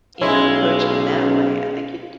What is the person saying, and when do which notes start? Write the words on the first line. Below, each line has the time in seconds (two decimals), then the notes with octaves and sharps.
you know, approach it in that way, I think it
0.21 B1 G#3 C#4 E4 F5